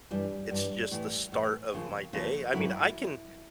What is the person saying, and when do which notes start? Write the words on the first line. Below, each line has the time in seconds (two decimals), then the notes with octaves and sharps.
it's just the start of my day. I mean, I can
0.11 G2 E3 G3
0.51 G2 E3
0.91 A2 E3
1.32 A2 E3
1.72 D#2 C#3 F3
2.13 D#2 C#3 F3
2.53 G#2 D#3 F#3 E4